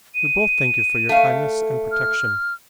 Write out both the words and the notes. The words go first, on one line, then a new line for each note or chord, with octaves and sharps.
We both thank you for your kindness and protection.
D#7
A3 F5
F6